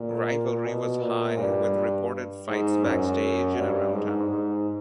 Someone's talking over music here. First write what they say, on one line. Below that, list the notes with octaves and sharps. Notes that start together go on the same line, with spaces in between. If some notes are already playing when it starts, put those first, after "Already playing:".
Rivalry was high with reported fights backstage and around town.
Already playing: A#2
B2
A#2
G2
G#2
F#2
G2
G#2
G#2